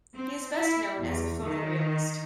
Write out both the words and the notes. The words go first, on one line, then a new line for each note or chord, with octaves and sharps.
He is best known as a photorealist.
C4
E4
E2
D#3